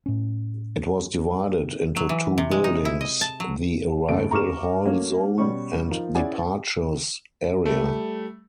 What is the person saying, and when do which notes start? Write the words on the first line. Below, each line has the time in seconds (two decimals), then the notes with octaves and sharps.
It was divided into two buildings: the arrival hall zone and departures area.
0.06 A2 C#4
1.96 F#3
2.09 E3
2.38 C3
2.51 G#3
2.64 D#4
2.85 E4
3.01 D#5
3.21 A5
3.40 F#3
4.09 F#1 D#2 C#3 A3 D7
4.31 A#5 C#6 D6 F6 E7
4.85 F#3 A3 A#3 C#4
5.38 B2 G3 C#4 C#6
5.91 F3 D#4 A#4
6.15 C#4 E4 G#4 D5 F#5 G#5
7.66 G3 A3